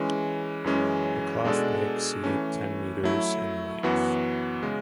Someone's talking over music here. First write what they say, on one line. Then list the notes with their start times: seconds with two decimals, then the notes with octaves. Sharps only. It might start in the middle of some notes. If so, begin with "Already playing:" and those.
The cloth may exceed ten meters in length.
Already playing: E3 G#3 C#4
0.64 F#2 E3 G#3 C#4
1.44 B2 G#3 D4 A4 D5
2.24 E3 A3 C#4
3.04 F#3 A3 E4
3.83 F#2 E3 B3 F#4
4.63 C#3 G#3